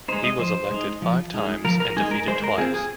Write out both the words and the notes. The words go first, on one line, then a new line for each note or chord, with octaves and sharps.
He was elected five times and defeated twice.
G#3 D#4 C5
D#5
F3 C5
G#3 D#4
F3
G#3 D#4
F3 A#4
A#4
G#3 D#4 G#4
A#4
G#3 C5
A#4
C4 F4 G#4
G#4